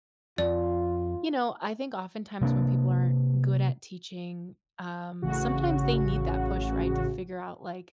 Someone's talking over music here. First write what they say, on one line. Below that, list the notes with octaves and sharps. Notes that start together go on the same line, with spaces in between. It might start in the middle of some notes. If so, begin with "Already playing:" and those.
you know, I think oftentimes when people aren't good at teaching, um, sometimes they need that push, right, to figure out, like,
F2 F4 D5
C3 A#3 B3 D4
A1 C#3 F#4